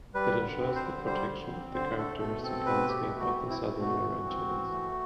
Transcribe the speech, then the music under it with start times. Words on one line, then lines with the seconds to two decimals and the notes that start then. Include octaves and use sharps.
It ensures the protection of the characteristic landscape of the Southern Laurentians.
0.14 G3 B4
0.38 D3
0.60 C4
0.75 C5
0.83 D3
1.06 G3 C5
1.29 D3
1.51 C4
1.74 D3 C5
1.97 A3 A4
2.20 B2 A4
2.43 C4 A4
2.65 B2 B4
2.88 A3 G4
3.11 B2
3.19 F#4
3.35 C4
3.50 E4
3.57 B2
3.80 A3 F#4
4.02 E3
4.26 C4
4.49 E3
4.72 A3